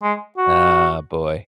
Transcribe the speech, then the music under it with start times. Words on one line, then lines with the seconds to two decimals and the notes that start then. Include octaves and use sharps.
Oh boy.
0.03 G#3
0.38 F#4